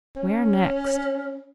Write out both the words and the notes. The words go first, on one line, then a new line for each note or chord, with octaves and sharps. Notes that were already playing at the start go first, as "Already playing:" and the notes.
Where next?
C#4